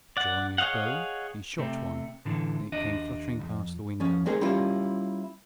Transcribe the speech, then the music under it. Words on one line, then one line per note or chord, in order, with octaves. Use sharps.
Drawing his bow, he shot one, and it came fluttering past the window.
D5 F#5
G#4 C#5 D#5 F5 F#5
C3 A3
A2 D3 E3
D#2 D4 D#5
B1 F2
F3 C#4
G#3 A3 C4 D#4 G#4 A#4
G3 A#3 C#4 E4 F4